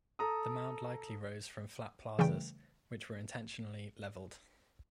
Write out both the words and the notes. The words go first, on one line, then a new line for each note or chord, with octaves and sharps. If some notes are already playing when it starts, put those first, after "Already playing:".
The mound likely rose from flat plazas which were intentionally leveled.
A4 A#5 D#6
C#3 E3 G3 A3 G5